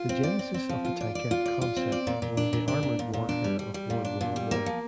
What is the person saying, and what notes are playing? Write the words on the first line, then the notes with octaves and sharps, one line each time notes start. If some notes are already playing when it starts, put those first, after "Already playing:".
The genesis of the tankette concept was the armoured warfare of World War One.
Already playing: F4
C4
D5
C4
C4
F3
F4
D5
D5
F4
D5
F4
C4
D5
A#2
A#2
D4
A#2
D4
A#2
A#2
A#2
D4
G3
G3
G3
A#2
D4
A#2
G3
A#3
F3